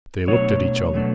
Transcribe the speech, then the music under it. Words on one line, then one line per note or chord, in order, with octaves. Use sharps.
They looked at each other.
B2 F#3 A3 D4 C#5
B2 F#3 A3 D4